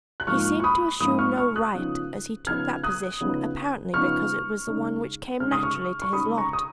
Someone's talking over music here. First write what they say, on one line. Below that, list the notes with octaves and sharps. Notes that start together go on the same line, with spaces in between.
He seemed to assume no right, as he took that position apparently because it was the one which came naturally to his lot.
F#6
G#2 F3 A#3 D#4 C#6 F6
C#6
B5 D#6
G#2 F3 A#3 D#4 B5 D#6
C#6 F6
C#6 F6
D#6 F#6
C#3 F3 B3 D#4
C#3 F3 B3 D#4 F6 G#6
D#6 F#6
C#3 F3 B3 D#4
C#3 F3 B3 D#4 C#6 F6
C#3 G#3 D#4
C#3 G#3 D#4 F6
D#6
C#6 F6
C#6
C#3 G#3 D#4 B5 D#6
A#5 C#6
D#6